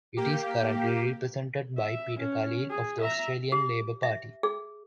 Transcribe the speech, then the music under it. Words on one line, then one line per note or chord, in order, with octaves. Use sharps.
It is currently represented by Peter Khalil of the Australian Labor Party.
A#3 G4
E5
C#4
G#4
E5 A#5
G4
E5
G#4